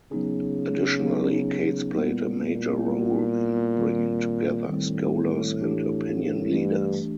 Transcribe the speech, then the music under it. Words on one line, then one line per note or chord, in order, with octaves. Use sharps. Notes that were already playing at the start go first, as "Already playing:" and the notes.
Additionally, Kates played a major role in bringing together scholars and opinion leaders.
C#3 F#3 B3 D#4 G#4
F#3 B3 D#4 G#4
A#2 G3 B3 E4
A#2
G3 B3 E4
D#3 G3 C4
A2 D#3 G3 C4
E3 A3 D4 G4
G2 E3 A3 D4 G4